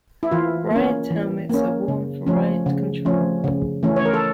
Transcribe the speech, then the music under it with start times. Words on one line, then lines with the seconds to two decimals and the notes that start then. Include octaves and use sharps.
Riot helmets are worn for riot control.
0.23 E4
0.31 E3 F4
0.71 A#3
0.76 C#4
1.11 E3
1.49 A#3 C#4
1.88 C#3
2.27 F3 A3 C#4
2.66 C#3
3.05 F3 A3 C#4
3.44 C#3
3.83 E3 A3 C#4
3.96 C#5
4.05 A#4
4.14 A4